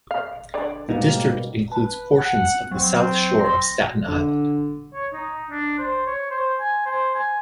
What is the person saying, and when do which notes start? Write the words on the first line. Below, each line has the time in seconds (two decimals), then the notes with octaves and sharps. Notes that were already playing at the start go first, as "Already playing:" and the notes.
The district includes portions of the South shore of Staten Island.
0.11 F5
0.54 D3 D5
0.89 G#2 B2 G3 A#3 D#4
1.72 B4 A5
2.17 F#5
2.72 F#3 C4
3.39 C6 A#6
4.08 D3
4.94 C#5
5.13 D#4
5.50 D4
5.78 C5
6.07 C#5
6.31 C5
6.60 G#5
6.86 C5
7.15 G#5